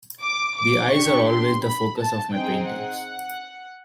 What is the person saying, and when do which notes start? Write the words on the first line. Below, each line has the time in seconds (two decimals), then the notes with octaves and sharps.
The eyes are always the focus of my paintings.
0.22 D6
0.57 D6
0.92 D4 G4 C#6
1.27 C6
1.63 B5
1.98 A5
2.33 C4 D#4 G#4 G5
2.69 F#5